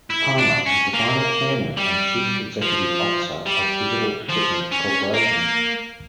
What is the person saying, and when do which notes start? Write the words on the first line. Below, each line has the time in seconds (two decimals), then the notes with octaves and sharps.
Palmer was the final Chairman and Chief Executive Officer of Digital Equipment Corporation.
0.10 E4
0.38 D4
0.66 C#4
0.94 A#3
1.77 G3
2.62 F3
3.46 G3
4.29 F3
4.71 C#4
5.14 A#3